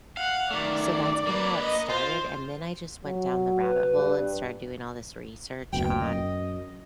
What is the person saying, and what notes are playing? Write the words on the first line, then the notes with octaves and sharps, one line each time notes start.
so that's kinda how it started, and then I just went down the rabbit hole and started doing all this research on,
F5 F#5
D#3 A3 D5
A#3 B4
D#5
F4 C5
F#3
B4
G2
F#1 D2 B2 G5
F#2 D#5